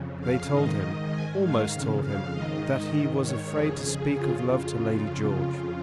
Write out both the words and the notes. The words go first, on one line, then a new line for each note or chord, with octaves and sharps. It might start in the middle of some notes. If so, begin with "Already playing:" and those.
They told him,--almost told him,--that he was afraid to speak of love to Lady George.
Already playing: F2 C#3
F5
G#2 D#3 D#5
G#2 D#3 G#5
F5
F2 C#3
F5
G#2 D#3 D#5
G#2 D#3
C#5
F2 C#3 G#4
G#4
F2 C#3 F4